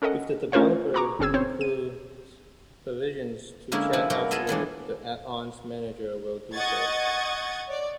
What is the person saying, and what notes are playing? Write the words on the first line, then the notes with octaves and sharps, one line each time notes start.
If the developer includes provisions to check elsewhere, the add-ons manager will do so.
C#4 A4 A#4 D#5 F#5
A3 C#4 F4 A#4 C5 F5
F#4 G#4 A#5 C#6 D6
G1 C4 C#4 G#4 E6 G#6
C4 C5 C#5
D#7
D3 G#3 A#3 C#4 E4
C3 F3 E4
B2 F#3 A#3 F#4 A#4
F4 G#4 A4 D#5 E5
D#3 E3 G#3 D4
D#5 F#5 C#6 G#6 A6
C#5 D5